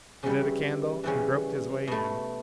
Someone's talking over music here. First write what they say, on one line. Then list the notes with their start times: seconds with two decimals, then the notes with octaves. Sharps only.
He lit a candle and groped his way in.
0.23 C#3 E3 G3 C#4
1.04 C#3 E3 G3 C#4
1.87 B2 A3